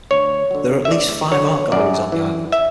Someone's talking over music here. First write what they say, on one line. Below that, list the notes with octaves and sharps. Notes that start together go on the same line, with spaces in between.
There are at least five art galleries on the island.
D2 C#5
D3 F#3
E5
D2 D5
D3 F#3 C#5
F#2 D5
E3
E5